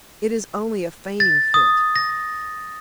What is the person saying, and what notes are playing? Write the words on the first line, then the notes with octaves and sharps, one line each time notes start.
"It is only a fainting fit."
A6
D#6
A#6